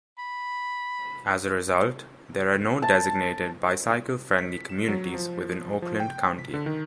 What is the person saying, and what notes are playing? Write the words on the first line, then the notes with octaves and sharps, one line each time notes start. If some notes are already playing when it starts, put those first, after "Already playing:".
As a result, there are no designated Bicycle Friendly Communities within Oakland County.
B5
A5
B6
E7
F#3
F3
F3
G5
B6
D3
D#3